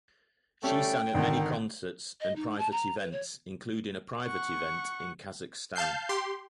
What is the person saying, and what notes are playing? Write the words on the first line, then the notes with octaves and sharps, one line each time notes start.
She sang at many concerts and private events, including a private event in Kazakhstan.
G3 A3 C#4 A4 G5
G#1 D3 D#3
D#5
D#4
A5
A#5
B4
C#5
F#5 C#6
F5 A5 G6 C7
G4 C6